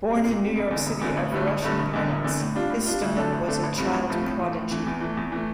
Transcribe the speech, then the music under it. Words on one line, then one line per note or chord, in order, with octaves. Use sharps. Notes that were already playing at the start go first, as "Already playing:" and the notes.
Born in New York City of Russian parents, Istomin was a child prodigy.
G3 C4
A#2
G3 C4
E1
E2 D3
E1
E2 D3
A1
G2 D3 A3
A1
G2 D3 A3
E1
E2 D3
E1
E2 D3
A2
G3 D4 F4
A2
G3 D4 F4
D2
D3 A3 D4 A4
D2
D3 A3 D4 A4
A1
G2 F3 A3 C4
A1
G2 F3 A3 C4
A2
E3 A3
A2
E3 A3
E2
E3 A3
E2
E3 A3